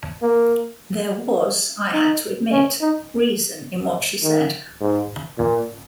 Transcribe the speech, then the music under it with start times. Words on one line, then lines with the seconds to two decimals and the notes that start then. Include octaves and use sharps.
There was, I had to admit, reason in what she said.
0.22 A#3
1.94 D#4
2.52 C#4
2.81 D#4
4.23 D#3
4.81 G#2
5.38 A#2